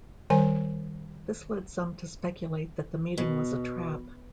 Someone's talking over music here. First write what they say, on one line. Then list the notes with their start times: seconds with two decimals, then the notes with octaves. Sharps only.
This led some to speculate that the meeting was a trap.
0.30 D#3 G3 C5 G#5
3.18 B2